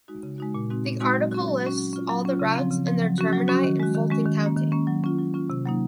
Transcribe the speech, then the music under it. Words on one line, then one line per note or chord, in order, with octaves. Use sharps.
This article lists all the routes and their termini in Fulton County.
G#3 D#4 F#4
C#3
G#3 D#4 F#4
A#2
G#3 C4 D#4 F#4
A#2
G#3 C4 D#4 F#4
F#3
C#4 F#4
F#3
C#4 F#4
F#3
C#4 F4
F#3
C#4 F4
C#3
F3 C4
C#3
F3 C4
F#3
C#4 F#4
F#3
C#4 F#4
D#3
G#3 C#4 F#4
D#3
G#3 C#4 F#4
D#3
C#4
A#3
D#3
A#3 C#4
F#3
C#4 F4
F#3
C#4 F4
C3
F#3 A#3 D#4